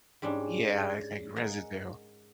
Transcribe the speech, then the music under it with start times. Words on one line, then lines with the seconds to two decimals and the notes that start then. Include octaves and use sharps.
Yeah, it's like residue.
0.22 G#2 G3 C#4 D4
1.36 A#4 D#5 F#5 G#5